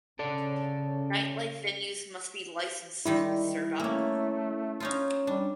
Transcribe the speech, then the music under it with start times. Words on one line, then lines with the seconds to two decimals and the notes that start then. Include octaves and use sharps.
Nightlife venues must be licensed to serve alcohol.
0.19 C#3 A4 D5
3.06 D#3 G3 G#3 E4
3.79 A3 A#3 C#4
4.80 C#4 D#4 F4
5.27 G3 D4